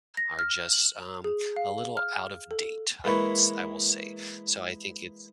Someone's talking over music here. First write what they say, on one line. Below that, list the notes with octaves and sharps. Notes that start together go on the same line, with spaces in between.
are just, um, a little out of date, I would s I will say. So I think it's
A#6
F6
F#7
G#4
F5
F6
A4
E3 G#3 A#3 E4 B4 C#5